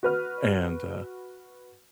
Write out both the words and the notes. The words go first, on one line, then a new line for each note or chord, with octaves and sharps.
and, uh
F#4 B4 F6